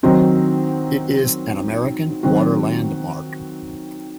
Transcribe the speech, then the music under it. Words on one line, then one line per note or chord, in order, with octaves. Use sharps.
It is an American Water Landmark.
D#3 F#3 C4 D#4
D#3 F#3 C4 F#4